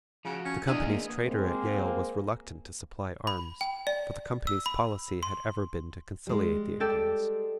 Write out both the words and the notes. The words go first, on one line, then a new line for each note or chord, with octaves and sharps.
The company's trader at Yale was reluctant to supply arms, for the company's policy had ever been to conciliate the Indians.
C#3 F3 F#4
C#4
E2 D4 G#4 B4 D#5
A#3
G#3 A#3 C4
B5
G5
D5
E6
B5
C6
G3 G#3
G4 A4 D5